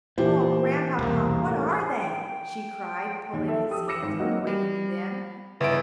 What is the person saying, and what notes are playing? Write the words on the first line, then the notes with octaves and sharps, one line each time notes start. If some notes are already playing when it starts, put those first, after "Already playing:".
"Oh, Grandpapa, what are they?" she cried, pulling his hand and pointing to them.
A#2 E3 G4 C5
E1 C2 A#3
A2
G5
D#2
A4 E5 A5
G4 D#6 E6
D6 E6 A#6 C#7 E7
G#1
F#3 A#3 C4 D#4 F#4
G3
G1 C#3 E3 D7